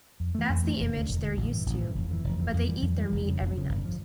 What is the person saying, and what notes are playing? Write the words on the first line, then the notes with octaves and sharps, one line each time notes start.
That's the image they're used to, but they eat their meat every night.
F2
E3 A3
F2
E3 A3
E1
D2 D3
E1
D2 D3
A1
G2 E3
A1
G2 E3
F1
F2 C#3 E3
F1
F2 C#3 E3
F2
E3 G3
F2
E3 G3
F1
F2 C#3
F1
F2 C#3
G1
F3